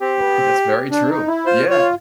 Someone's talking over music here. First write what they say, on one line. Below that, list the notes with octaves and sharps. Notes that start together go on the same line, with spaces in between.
Y y that's very true, yeah.
C4 G4
B3
C4
D4
D#4
E4
F4 C5
F4 C#5